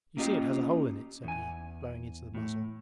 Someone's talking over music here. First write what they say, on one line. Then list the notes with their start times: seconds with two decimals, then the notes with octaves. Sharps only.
You see it has a hole in it,' said he, blowing into the muzzle.
0.17 A#3 C#4 F4 G4 D#5 F5
1.24 E2 G#5
2.35 A2